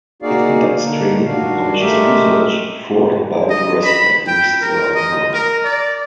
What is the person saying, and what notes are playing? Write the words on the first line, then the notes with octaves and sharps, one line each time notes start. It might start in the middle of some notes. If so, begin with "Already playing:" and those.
It conducts training and publishes research for and by progressive activists around the world.
A#3 D#4 F#4 G#4 D5 F5
D3 A#3 D#4
D#3 D4 F#4 F5
G#3 A3 G4 A#4 E5
D#5
B5
G5
A#4
D#5
A#4
D5